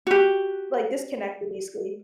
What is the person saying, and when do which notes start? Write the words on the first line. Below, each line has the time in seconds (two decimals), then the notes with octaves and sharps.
like, disconnected, basically.
0.07 F#4 G4